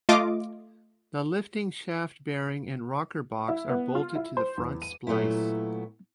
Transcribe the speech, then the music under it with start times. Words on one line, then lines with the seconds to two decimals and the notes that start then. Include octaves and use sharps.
The lifting-shaft bearing and rocker-box are bolted to the front splice.
0.09 A3 F4 D#5 D6
3.49 E4
3.70 B3
3.95 F4
4.16 E4
4.37 C5
4.58 E2
4.82 D#7
5.07 A#2 F#3 A3 B3 E4